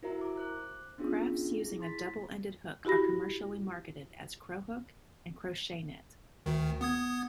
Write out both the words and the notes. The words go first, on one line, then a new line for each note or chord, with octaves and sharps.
Crafts using a double-ended hook are commercially marketed as Cro-hook and Crochenit.
E4 F#4 A#4 C5 E5 A#5
D6
C5 F#6
B3 C#4 D4 F4 G#4
E4 G#4
C6 A6 B6
E4 F#4 G4 B5 A#6
D2 D#3
B3 D#6 G#6